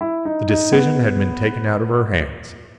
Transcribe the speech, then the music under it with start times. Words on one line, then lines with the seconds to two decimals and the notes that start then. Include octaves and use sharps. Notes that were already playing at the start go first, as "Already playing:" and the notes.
The decision had been taken out of her hands.
0.01 E4
0.25 D#4
0.49 D#4
0.72 B3